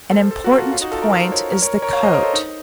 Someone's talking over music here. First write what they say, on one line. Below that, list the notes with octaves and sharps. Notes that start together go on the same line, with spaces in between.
An important point is the coat.
A4 C5
A4 C5
F#4 A#4
F4 A4
C#4 F4
D#4 F#4
F4 A4
F#4 A#4
A4 C5
A#4 C#5
A#4 C#5
A#4 C#5
A#4 C#5
C#5 F5
C5 D#5
A#4 C#5
A4 C5
D#4